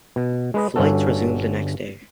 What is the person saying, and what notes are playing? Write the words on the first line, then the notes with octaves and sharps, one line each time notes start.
Flights resumed the next day.
B2
G#3 B4 D#5
G1 G2 C#4 F#4 A4